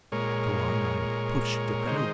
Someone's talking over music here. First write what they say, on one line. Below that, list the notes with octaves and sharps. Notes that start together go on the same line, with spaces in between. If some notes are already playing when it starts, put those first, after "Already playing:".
Tuan, I pushed the canoe!
A#2 G#3 A#4 C#5
A#2 G#3
D#3 G#3 C5 D#5